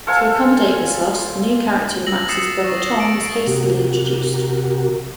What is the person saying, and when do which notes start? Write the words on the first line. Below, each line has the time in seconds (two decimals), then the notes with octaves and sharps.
To accommodate this loss, the new character of Max's brother Tom was hastily introduced.
0.07 A4 C5 F5 G#5
2.06 E6 A#6 F#7
2.29 D#6 E6 A6 C7 C#7 E7
2.64 C#6 A#6
3.00 D7
3.47 C3 F#4 G4 A#4